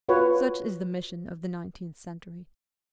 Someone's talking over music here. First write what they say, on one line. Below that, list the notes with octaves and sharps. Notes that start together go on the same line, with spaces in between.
Such is the mission of the nineteenth century.
F4 F#4 B4 C#5